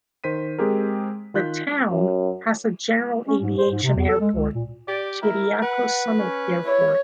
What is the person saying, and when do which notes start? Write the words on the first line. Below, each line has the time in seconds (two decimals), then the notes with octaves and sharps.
The town has a general aviation airport, Chiriaco Summit Airport.
0.24 D#3 C5 B6 D#7
0.58 G#3 C4 G4 G#4 A#4
1.34 D#3 F4 F#6 G6 B6
1.88 F#2
3.28 C#4
3.42 G#2
3.58 C5
3.71 G#2
3.83 C3
3.96 E2
4.09 A4
4.21 G#3
4.35 C#2
4.55 A#2
4.88 G4 D5
5.23 E4 A#4
5.63 B4 F#5
6.19 C#4
6.65 E4 C#5